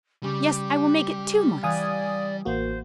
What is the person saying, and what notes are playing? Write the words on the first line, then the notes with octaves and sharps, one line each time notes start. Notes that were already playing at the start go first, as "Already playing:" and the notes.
Yes, I will make it two months.
C#3 G3 C#4 G4
E3 G4 D5 F5 G#5 D#6 F#6
A1 A#3 F#4 C5